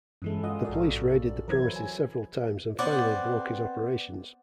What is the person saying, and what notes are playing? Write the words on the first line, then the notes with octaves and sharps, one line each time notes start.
The police raided the premises several times and finally broke his operations.
G2 E3 G#3 C#4 E4 A4
F4 D#5 F#5 D#6
A#1 G#2 F#4 A4 A#4 D5
E3 F#3 E4 A#4 C5 G#6
G#5
B3 C4 D5 F#5